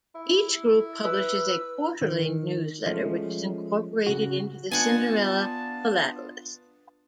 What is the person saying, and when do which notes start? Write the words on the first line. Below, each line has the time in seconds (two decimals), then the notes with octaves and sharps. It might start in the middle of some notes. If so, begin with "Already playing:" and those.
Each group publishes a quarterly newsletter which is incorporated into "The Cinderella Philatelist".
0.15 E4
1.04 B4 E6
2.02 D#3
2.86 F3 G#3 A3 C#4
4.07 C#3 F#4
4.71 B3 D4 F4 F#5 G#5 A5